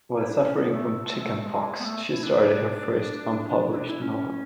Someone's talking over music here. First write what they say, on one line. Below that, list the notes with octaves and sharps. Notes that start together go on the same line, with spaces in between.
While suffering from chickenpox, she started her first, unpublished, novel.
E4
D4
C#4
B3
A3
A3
G#3
A3
A3
G#3
B3
A3
E4
D4
E4
D4
E4
C#4
C#4